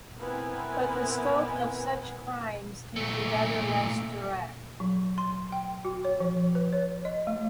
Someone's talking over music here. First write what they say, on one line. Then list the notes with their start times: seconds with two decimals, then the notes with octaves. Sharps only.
But the scope of such crimes can be rather less direct.
0.19 B3 C4 E4 A#4 B4 G#5
2.96 A#2 A3
4.80 F#3
5.18 C6
5.52 G5
5.85 F#4
6.05 C#5
6.20 F3
6.55 B4
6.73 C#5
7.05 D#5
7.27 A3